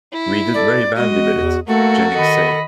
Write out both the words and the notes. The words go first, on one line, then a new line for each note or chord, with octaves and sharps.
"We did very badly with it," Jennings said.
E4
A4 D5
G#3 F#4 D#5
E2
A3 A#3 F#4 A4
D#3 D#5 B5